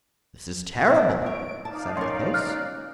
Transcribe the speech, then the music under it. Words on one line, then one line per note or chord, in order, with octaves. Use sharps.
"This is terrible," said Athos.
C4
F4 C#5 D7
D#4 D5 F5 A5
C#4 A#4 C6
F6 F#6